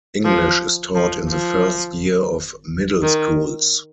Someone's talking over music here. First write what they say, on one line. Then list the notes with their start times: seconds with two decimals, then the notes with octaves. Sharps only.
English is taught in the first year of middle schools.
0.25 F3
0.95 F3
1.28 F3
3.02 D#3